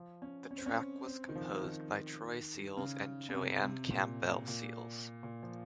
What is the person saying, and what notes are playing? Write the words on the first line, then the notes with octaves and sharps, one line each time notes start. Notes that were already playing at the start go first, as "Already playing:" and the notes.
The track was composed by Troy Seals and Jo Ann Campbell Seals.
Already playing: F3
C#4
C#4
C4
C#4
C4
D#3
F3
D#3
C#3
C#3
C3
C3
A#2
A#2
A#2
F3